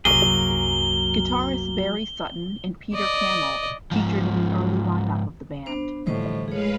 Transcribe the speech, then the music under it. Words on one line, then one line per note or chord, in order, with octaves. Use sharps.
Guitarists Barry Sutton and Peter Cammell featured in an early lineup of the band.
C2 F#2 F#3 A#3 G#4 G7
D5 D#5
G#2 F3
B3 D4 C5
A2 D3 E3 F3 G3 C5 D#5 C#6
G#3 G#4 B4 C#5 F5